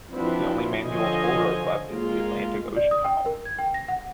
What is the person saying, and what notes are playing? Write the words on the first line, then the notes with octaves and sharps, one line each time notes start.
The only manual toll road left is the Atlantic Ocean Tunnel.
F3 C4 D4 E4 F#4 B4
D3 F3 C5 C#5 D#5 G#5
G#3 A#3 F4
D5
D#6
G5
A#4
G#6
G5
A#6
F#5